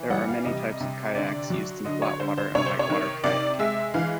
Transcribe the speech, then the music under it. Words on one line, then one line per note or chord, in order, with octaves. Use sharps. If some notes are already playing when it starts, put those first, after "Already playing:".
There are many types of kayaks used in flat water and white water kayaking.
Already playing: E3
G3 F#5
F5
C3 D#5
C3
D3 D5
F#3
D3 D#5
C#5
D3 C5
C5
C3 C#5
C5
C#5
D#3
C3 D5
G#3 E5
E3 F5